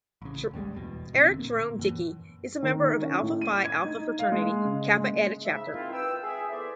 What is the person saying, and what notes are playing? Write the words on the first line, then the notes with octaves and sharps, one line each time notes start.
Eric Jerome Dickey is a member of Alpha Phi Alpha fraternity, Kappa Eta Chapter.
A1 C#3
A#1 D#2 G3 G#3
G1 E2 B2
A1 D3 B3 C4
A#2 A#3
F#2 E3
D#3
C#4
A2
D#7
G#6
D#4
F5
G#3
C#3
G#3
G#2 C#3 E5
D#3 C4 E4 F4
B4 G5 E6
G#4 E5
E3 A3 B3 C5 D5 E5